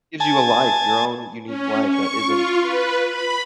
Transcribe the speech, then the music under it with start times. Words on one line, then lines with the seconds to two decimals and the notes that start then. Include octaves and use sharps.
gives you a life, your own unique life that isn't
0.20 G#5 A5
1.46 C#4
1.89 C#6
2.26 F4
2.60 B4
3.08 B5